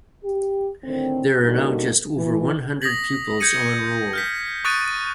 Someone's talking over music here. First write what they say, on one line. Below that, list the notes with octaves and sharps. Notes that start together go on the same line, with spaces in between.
There are now just over one hundred pupils on roll.
G4
A2 D3 D#3 C4
D3 G3 A#3 D#4 F#4
E3
D#6 A#6 B6 F#7
G6 G#6 A#6 C#7 D#7
F6 G6 B6
C#6 D#6 F#6 A6 D7 D#7